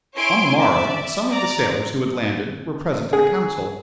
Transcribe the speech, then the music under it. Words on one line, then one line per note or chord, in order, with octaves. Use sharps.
On the morrow, some of the sailors who had landed, were present at a council.
E4 C#5 G#5 C6 D7
D5 E5
D5 A#5
G#4